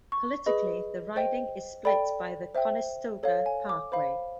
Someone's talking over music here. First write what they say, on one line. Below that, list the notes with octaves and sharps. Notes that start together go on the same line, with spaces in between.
Politically, the riding is split by the Conestoga Parkway.
C#6
G#4 B4 D#5 B5
C5 D#5 G5
A4 D5 G5 B5
C5 E5 G5
A4 C#5 F5
G#5
D6
C5 F5 B5